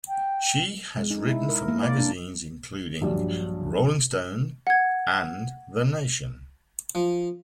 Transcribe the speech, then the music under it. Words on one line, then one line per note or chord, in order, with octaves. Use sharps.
She has written for magazines including "Rolling Stone" and "The Nation".
G5
G#3
D#4
E4
A#4
A#3
D5
D4
A#1 G2 F#3 D5
F#5 G#6
F3